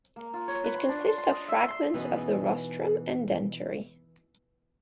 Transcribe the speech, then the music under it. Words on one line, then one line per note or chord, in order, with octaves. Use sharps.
It consists of fragments of the rostrum and dentary.
A#3
F4
C#5
B4
C6
D4
C6
C6
D#5
E5
C6
B2 E3 B3 C#4 D#4 G#4